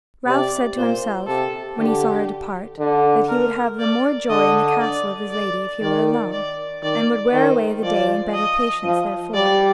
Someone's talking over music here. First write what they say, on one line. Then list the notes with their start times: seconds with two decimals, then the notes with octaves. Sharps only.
Ralph said to himself, when he saw her depart, that he would have the more joy in the castle of his Lady if he were alone, and would wear away the day in better patience therefor.
0.27 C3 D5
0.77 A#2 C5
1.27 C3 A4
1.77 D3 G4
2.79 D3
3.29 A#4
3.79 D5
4.30 D3 D#5
4.81 D5
5.30 D5
5.81 D#3 D5
6.32 D5
6.83 D#3 D5
7.33 D#3 C5
7.83 F3 D5
8.34 D#5
8.84 F3
9.34 G3 D5